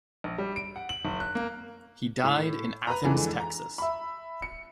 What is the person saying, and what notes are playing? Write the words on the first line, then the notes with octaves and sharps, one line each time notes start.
He died in Athens, Texas.
A#1
G3
D7
F#5
F#7
F#1
F#6
A#3
A2
B4 A#5
F2 D3 E3 G#3
A#5
E5 B5
C#7